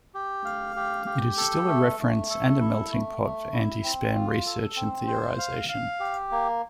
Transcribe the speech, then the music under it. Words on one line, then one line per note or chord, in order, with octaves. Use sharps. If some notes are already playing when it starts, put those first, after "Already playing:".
It is still a reference and a melting pot for anti-spam research and theorization.
G4
F5
G4
G4
A4
A3
A3
A4
E4
A3
A3
E4
C4
F4
A4
C4
C5
F5
F5
G4
A#3